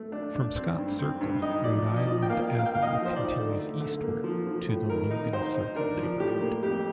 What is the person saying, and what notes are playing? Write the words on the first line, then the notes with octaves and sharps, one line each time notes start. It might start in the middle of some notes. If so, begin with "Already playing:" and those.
From Scott Circle, Rhode Island Avenue continues eastward to the Logan Circle neighborhood.
Already playing: A3
D4
D4
C4
G2
C4
G2
D#4 D#5
F3 D5
F3
D#5
F3 D5
G5
A#3 F5
A#3
F5
G5
A#3 F5
D#5
F5
F3
C5
D#4 D5
D3
A3
D3
A#3
F3
F3
A2
D#3 A#4
D#4
D#4 C5
D#4
D4 A#4
F3
A2 G4
A#3
F2 G4